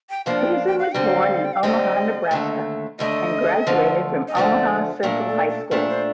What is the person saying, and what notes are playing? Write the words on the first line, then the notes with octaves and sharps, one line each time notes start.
Susan was born in Omaha, Nebraska, and graduated from Omaha Central High School.
G5
G2 F3 A#3 D4 F5
G5
F5
G5
F5
D3 G3 C4 G5
F5
G5
F5
D3 G3 C4 D#5
D#2 D3 A3
D#2 D3 A3 D#5
D2 D3 F3 A3
D#5
D2 D3 F3 A3 D5
A#2 A3 D4 A#4
A4
A4
A#2 A3 D4 C5
C5